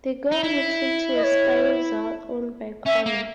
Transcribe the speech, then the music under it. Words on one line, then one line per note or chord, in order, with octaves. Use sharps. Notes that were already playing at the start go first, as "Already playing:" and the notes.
They go on a trip to a ski resort owned by Connor.
D#4
E4
D#5
C#5
C#4 E5
A#3